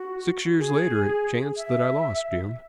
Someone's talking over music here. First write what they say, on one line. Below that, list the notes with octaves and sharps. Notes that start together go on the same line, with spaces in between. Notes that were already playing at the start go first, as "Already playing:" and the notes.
Six years later it chanced that I lost Jim.
Already playing: F#4
G#4
E5